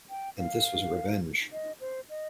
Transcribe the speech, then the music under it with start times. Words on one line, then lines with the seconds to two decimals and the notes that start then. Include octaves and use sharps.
And this was revenge.
0.10 G5
0.38 F5
1.52 D#5
1.81 C5
2.10 D#5